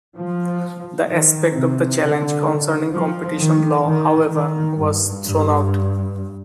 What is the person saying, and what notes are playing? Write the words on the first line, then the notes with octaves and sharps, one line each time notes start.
The aspect of the challenge concerning competition law however, was thrown out.
F3
D#3
C3
D3
F3
D#3
D#3
D#3
G2
G2